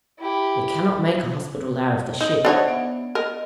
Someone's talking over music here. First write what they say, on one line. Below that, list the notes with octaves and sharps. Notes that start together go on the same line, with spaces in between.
We cannot make a hospital out of the ship.
E4 G4
D#4
D4 D#4 C5 C#5 E5 F#5
B3
A#4 D#5